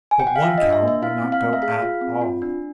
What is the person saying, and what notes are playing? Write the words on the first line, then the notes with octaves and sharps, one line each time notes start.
But one cow would not go at all!
G#5
G5
F#5
F5
F4 E5
D#5
D4
E5
A#3
E5
E4 F5
C4
F5
A3
E5
G#4 F5
F4
C4
F4
D4